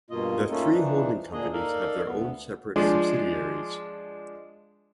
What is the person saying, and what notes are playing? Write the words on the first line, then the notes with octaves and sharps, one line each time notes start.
The three holding companies have their own separate subsidiaries.
G2 B2 A#3 F4 D#5
A3 A#3 C#4 D#4 F4 A4
E3 F3 D4 D#4
D2 A#2 A#3 D4 G#4 D#5
D#4 A4 A#4 D5 F5
D2 B3
F3 G#3 D4